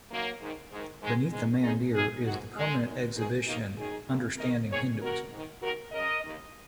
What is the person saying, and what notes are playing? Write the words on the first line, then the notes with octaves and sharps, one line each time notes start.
Beneath the Mandir is the permanent exhibition 'Understanding Hinduism'.
F#2 D#3 F#3 A#3
G#2 D#3
G#2 D#3 G#3
G#2 D#3 G#3
G#2 D#3 G#3
D#2 C#3 D#4 G#4
F#2 C#3 D#4 G#4
G#2 D#3 C#4 F#4
F#2 D#3 G#3
F#2 D#3
G#2 D#3 D#4 G#4
D#2 D#3 A#3 D#4
F#2 D#3 D#4 G#4
F#2 C#3
G#2 D#3 A#4 D#5
G#2 D#3 G#4 C#5
D#2 D#3 F#4 A#4
G#2 D#3
D#2 D#3 F#4 A#4
F#2 C#3 A#4 D#5
D#2 D#3